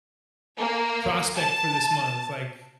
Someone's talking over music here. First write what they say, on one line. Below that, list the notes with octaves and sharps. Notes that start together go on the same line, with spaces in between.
prospect for this month, like,
A#3
A5